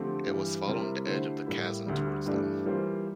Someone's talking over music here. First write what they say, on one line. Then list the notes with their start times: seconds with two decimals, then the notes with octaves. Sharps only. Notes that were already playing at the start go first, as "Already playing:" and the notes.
It was following the edge of the chasm towards them.
Already playing: D3 F3 A3 C4 G4
0.27 G2 E3 G3
0.67 C3 G3 C4 E4 A#4
1.07 D3 A3 E4 G4 C5
1.46 A2 G3 A#3 E4
1.86 D2 D3 G3
2.26 G2 E3 A3 D4 G4
2.65 E3 G3 A#3 F4 C5